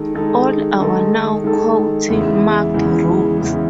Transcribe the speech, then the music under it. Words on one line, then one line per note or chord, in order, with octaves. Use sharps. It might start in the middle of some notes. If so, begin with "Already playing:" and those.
All are now county marked routes.
Already playing: D#3 G#3 D#4 A4
D#3 G#3 D#4 A4
D#3 G#3 D#4 A4
D#3 G#3 D#4 A4
E2 C#3 E3 G#3
E2 C#3 E3 G#3
E2 C#3 E3 G#3